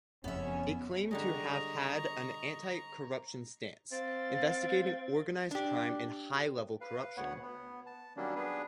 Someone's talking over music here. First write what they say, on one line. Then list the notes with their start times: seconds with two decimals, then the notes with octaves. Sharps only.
It claimed to have had an anti-corruption stance, investigating organized crime and high-level corruption.
0.24 F#1 F2 C#3 B3 C#4 E5
1.11 D3 G3 G#3 D#5 A#5 C#6
3.92 C4 F5 A6
5.51 D4 G4
6.81 B4 F5
7.17 D2 B3 C#5 F#5
7.42 B3
7.87 A5
8.17 D#3 F#3 G3 A#3 C#4 D4
8.36 B3 D4 G#4 B4